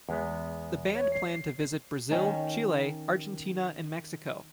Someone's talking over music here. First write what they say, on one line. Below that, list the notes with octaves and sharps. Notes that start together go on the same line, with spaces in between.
The band planned to visit Brazil, Chile, Argentina and Mexico.
E2 G#3 B3
C#5
C7
D#3 C#4 D#4